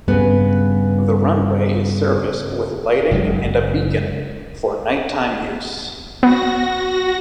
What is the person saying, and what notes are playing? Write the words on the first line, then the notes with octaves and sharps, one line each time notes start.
The runway is serviced with lighting and a beacon for night-time use.
G2 C#3 B3
F#1 C#3 F#3 G#3
B3 F#4 A#6